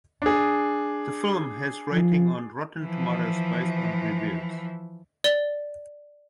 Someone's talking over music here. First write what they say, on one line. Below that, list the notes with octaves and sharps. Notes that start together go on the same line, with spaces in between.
The film has rating on Rotten Tomatoes based on reviews.
D4 G#4
F3
E3 F3
D5 G7